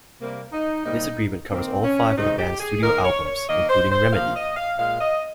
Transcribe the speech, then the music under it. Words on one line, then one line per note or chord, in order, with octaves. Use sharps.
This agreement covers all five of the band's studio albums, including 'Remedy'.
C3 G3 A#3
D#4
C3 G3 A#3 D#4
D#3 A#3 C4
C#4
C3 D#3 G#3 D#4
G4
G#4
D#3 A#3 A#4
C#5
C#5
D#3 A#3 D#5
C5
C5
C3 F3 A#3 F5
D#5
F5
A#2 G#3 F5
D#5